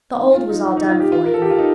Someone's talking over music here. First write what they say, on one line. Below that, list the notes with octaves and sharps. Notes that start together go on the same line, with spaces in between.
The old was all done for, you know.'
D#4
F4
D#4
D#4
D#4
F4
G4
F4
A#4
A4
G4
F4
D#4